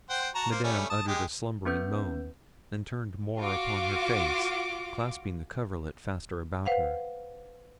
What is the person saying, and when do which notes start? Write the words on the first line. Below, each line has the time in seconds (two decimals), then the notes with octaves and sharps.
Madame uttered a slumbering moan, and turned more upon her face, clasping the coverlet faster about her.
0.10 C5 F#5 G5
0.35 F#4 A5 A#5
0.51 A#3 C5
0.64 G3 A3 C#4
0.90 A5 D#6
1.08 G#3 G4
1.65 B3 C#4 B4 G6
3.39 F4 F#4 F5 D6
6.66 B4 C5 F5 F#5